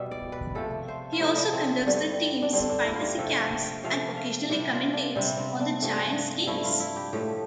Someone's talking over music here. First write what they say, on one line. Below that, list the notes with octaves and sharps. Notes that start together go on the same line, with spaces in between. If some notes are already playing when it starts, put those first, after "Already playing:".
He also conducts the team's fantasy camps and occasionally commentates on Giants' games.
Already playing: B2 G3 E5
D5
B4
C3 F3 A3 A4
C5
F4
C3 F3 A3 E4
D4
C4
G2 D3 G3
D4
G2 D3 G3 C4
D4
E4
F4
G4
C3 F3 A3 A4
F5
G5
C3 F3 A3 F5
F5
C3 G3 D5
F4
D4
C3 G3 C4
C4
D4
G2 F3 A3
G2 F3 A3 E4
F4
E4
G4
A2 F3 A3 G4